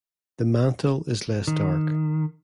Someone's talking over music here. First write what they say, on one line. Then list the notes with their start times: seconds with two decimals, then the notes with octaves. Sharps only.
The mantle is less dark.
1.47 D#3